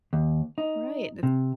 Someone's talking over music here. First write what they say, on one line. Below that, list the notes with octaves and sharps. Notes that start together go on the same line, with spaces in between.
Right. That's
D#2
D#4
C3